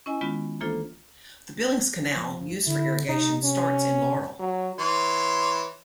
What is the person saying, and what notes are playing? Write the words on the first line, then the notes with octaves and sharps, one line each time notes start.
The Billings Canal, used for irrigation, starts in Laurel.
C#4 E4 D#5 G#5
D#3 G#3 B3 C#4 F4
E3 A#3 D4 F4 A4 C5
F3
D3 E4
C3 D#4
C#4
F#3
E3 C#5 C6